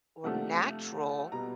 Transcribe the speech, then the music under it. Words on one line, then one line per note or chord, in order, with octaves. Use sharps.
were natural
C3 F3 A3 D4 F#5
B2 G3 B3 A#5